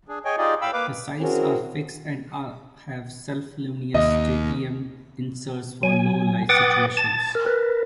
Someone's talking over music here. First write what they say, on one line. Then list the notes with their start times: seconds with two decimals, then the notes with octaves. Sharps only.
The sights are fixed and are have self-luminous tritium inserts for low-light situations.
0.08 D4 G#4
0.25 G#4 C#5 D#5 G5 G#5
0.38 D#4 F4 G4 G#4 D5 D#5
0.61 A2 F5 G5 B5 E6
0.73 A#3 B4 F5 D6
1.20 C4 C#4 E4 F#4 G#4 A#4
3.94 D#2 D#5
5.83 F#3 G#5
6.49 B4 F#5 G5 D6 D#6 A6
6.97 A5 A6
7.35 A#4
7.46 A#4 B4